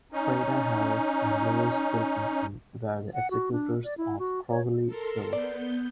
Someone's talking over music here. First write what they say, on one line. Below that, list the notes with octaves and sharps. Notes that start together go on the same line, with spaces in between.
Frieda Harris and Louis Wilkinson were the executors of Crowley's Will.
C#4 D#4
F#5
F#4
D4
D5
E4
F#4
C#5
A4 A#4 C6
B3 D5 G6